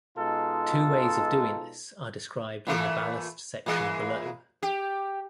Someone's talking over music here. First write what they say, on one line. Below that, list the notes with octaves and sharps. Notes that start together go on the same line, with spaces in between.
Two ways of doing this are described in the ballast section below.
B2 G#3 D#4 F4 A4
A#2 E3 A3
A#2 E3 G#3
G4